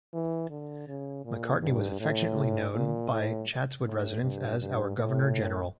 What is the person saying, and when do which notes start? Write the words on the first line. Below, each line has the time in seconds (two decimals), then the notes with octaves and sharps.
Macartney was affectionately known by Chatswood residents as "our Governor General".
0.14 E3
0.50 D3
0.87 C#3
1.25 A#2
1.62 G2
2.00 A2
2.74 A#2
3.11 A2
3.86 A2
4.22 G2
4.60 G2
4.96 A2